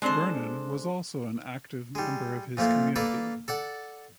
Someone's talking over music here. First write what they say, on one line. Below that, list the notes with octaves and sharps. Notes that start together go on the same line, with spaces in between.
Vernon was also an active member of his community.
G#3 C4 D4 A4 C5
G3 G#3
A#2 F3 A3 A#3
A#3 A4 B4 D5
A4 D5 F#5